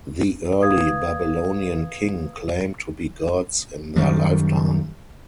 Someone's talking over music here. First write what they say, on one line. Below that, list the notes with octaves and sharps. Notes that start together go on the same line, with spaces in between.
The early Babylonian king claimed to be gods in their lifetime.
B4 F5 D#6 G#6
F#2 D#3 G3